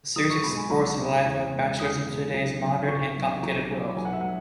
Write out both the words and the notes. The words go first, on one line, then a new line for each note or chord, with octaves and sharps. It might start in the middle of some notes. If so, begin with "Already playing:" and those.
The series explores the life of bachelors in today's modern and complicated world.
B1 D#6
C#6
B2 G#3 B5
G#5
B1 B5
B2 G#3
E2
B2 G#3
E2 D#6
B2 G#3
B1
B2 F#3
B1 C#6
B2 F#3
B1
B2 F#3
B1 G#5
F#5
E5
F#3 F#5